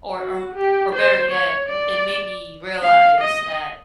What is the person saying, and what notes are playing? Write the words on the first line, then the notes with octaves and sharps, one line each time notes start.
or, um or better yet, it made me realize that
F#4
G4
C5
C#5
D5
F5
D#5